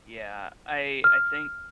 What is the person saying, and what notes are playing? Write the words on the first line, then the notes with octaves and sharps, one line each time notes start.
Yeah, I I think
F6